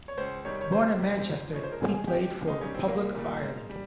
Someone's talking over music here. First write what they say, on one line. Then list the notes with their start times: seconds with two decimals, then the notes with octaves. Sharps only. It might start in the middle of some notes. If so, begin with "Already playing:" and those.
Born in Manchester, he played for Republic of Ireland.
0.08 C#5
0.17 C#2 C5
0.45 C3 D#3 G3 C#5
0.61 C#5
0.72 C#2 C5
0.99 C3 D#3 G3
1.26 F2
1.53 C#3 F3 G#3 C#5
1.64 C5
1.72 A#4
1.80 G#2 G#4
1.94 G#4
2.07 F3 G#3 G4
2.21 G4
2.35 D#2
2.48 D#4
2.61 D#3 G3 C#4
2.75 C4
2.88 C2 A#3
3.15 A#2 G3
3.43 G#2
3.70 G3